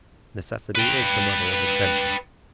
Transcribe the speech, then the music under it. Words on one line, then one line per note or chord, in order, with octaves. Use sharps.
Necessity is the mother of invention.
B4 G5